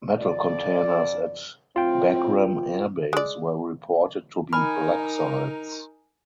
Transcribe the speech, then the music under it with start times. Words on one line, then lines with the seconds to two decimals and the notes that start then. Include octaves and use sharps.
Metal containers at Bagram Air Base were reported to be black sites.
0.17 F2 D5
1.76 A2 F#3 C4 F4 G5
3.13 G#3 D5
4.53 D#4 A#4 G#5 B5 F6